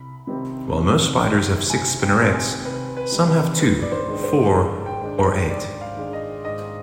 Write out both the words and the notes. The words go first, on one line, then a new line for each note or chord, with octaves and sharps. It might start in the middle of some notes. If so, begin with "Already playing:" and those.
While most spiders have six spinnerets, some have two, four, or eight.
Already playing: C2 B5
C3 D#3 G3 C4
C2
C3 D#3 G3 C4
C2 G#5
G5
C3 D#3 G3 C4
G#5
C2 B4
B4
C3 D#3 G3 C4
B4
G#2 B4
D5
C5
D#3 G#3 D4
C5
G#2
G5
D#3 G#3 D4
C5
G#2 D5
F5
D#3 G#3 D4
D#5
G#2 D#5